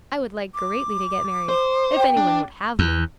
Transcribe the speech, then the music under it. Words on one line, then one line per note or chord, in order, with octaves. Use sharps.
I would like greatly to get married, if any one would have me.
D6
C5
G5
D4
E2